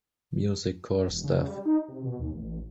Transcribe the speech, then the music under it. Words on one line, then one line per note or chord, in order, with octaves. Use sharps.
Music Core' staff.
E1
C#3
G3
D#4
C3
B2
D#2
A1